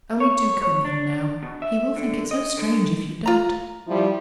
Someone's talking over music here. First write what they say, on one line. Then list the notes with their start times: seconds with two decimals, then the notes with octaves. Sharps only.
Only do come in now; he will think it so strange if you don't.'
0.20 C#5
0.62 C#5
0.85 D4
1.43 B2
1.62 E5
1.96 D3
2.31 D#5
2.57 D3
3.26 F4 A#5
3.87 F3 G3 E4